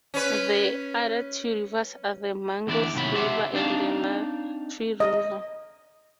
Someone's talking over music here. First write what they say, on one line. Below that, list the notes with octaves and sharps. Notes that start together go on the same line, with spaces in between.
The other two rivers are the Mangles River, and the Matiri River.
C#4 B4
E2 D3 E4 A4 D5
D#2 A2 C3 F#3 B5
G4 A4 C5 D5 E5 F#5
C4 D4 D#4 D5 F5 A5
D#5